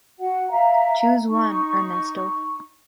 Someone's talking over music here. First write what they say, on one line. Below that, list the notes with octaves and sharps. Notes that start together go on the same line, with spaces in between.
Choose one, Ernesto.
F#4 F#5
E5 F5 A#5
D#4 C#6